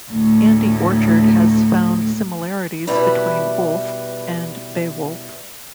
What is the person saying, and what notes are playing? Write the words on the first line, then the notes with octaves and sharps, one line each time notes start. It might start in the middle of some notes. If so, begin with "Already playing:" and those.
Andy Orchard has found similarities between Wulf and "Beowulf".
D2 A2
B2 G3 E4 B4